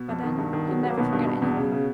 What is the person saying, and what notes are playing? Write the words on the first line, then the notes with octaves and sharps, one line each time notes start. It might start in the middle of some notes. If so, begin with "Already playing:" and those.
But then you never forget anything.
Already playing: B2 B3
F2
D#3
G2
D#3
F#3
F#3 B3
A#3
B2 D#3 B3
G2
G2
E2
C#3
C#3